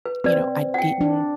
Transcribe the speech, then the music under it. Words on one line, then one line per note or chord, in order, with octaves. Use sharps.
you know, I didn't
B4
C4 B4 D5
F#5 G5
D4